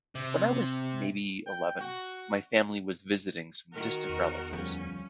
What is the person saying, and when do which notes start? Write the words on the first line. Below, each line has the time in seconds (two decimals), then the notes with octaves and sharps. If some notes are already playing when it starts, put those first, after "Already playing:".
When I was maybe eleven, my family was visiting some distant relatives.
0.15 C3
1.46 G5
1.80 F#4
3.73 D#3 F#4 A#4 F#5
4.09 E2
4.52 D2 F3 G3 C#4